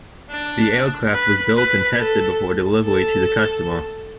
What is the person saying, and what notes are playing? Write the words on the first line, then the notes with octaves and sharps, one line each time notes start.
The aircraft was built and tested before delivery to the customer.
D4
B4
B4
A4
A4